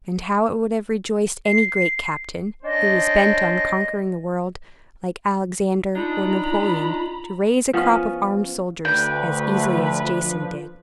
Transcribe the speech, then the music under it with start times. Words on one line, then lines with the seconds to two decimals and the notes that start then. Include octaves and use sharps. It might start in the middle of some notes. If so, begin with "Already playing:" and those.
And how it would have rejoiced any great captain, who was bent on conquering the world, like Alexander or Napoleon, to raise a crop of armed soldiers as easily as Jason did!
1.46 C7
2.63 C#4 D4 C5 D5 D#5
5.95 D4 D#4 F4 A#5 B5
7.73 F3 B3 C#4
8.85 D2 D4 B4 G5
9.73 F3